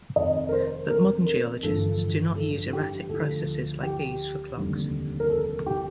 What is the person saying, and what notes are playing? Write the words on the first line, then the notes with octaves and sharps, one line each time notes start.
But modern geologists do not use erratic processes like these for clocks.
F1 F2 D#3 D#5
A#4
C5
A#4
A#4
A1 G2 D3 F3 A4
A4
G4
D2 D3 F3 A4
G4
F1 D#2 D3 G3
A#4
A4
G4